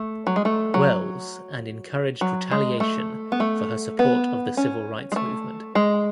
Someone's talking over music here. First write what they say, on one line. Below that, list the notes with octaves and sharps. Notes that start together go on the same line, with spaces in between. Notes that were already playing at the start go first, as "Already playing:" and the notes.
Wells and encouraged retaliation for her support of the civil rights movement.
Already playing: A3
F#3
G#3
A3
F#3
F#3
G#3
A3
B3
A3
B3
C#4
G#3
A3
G#3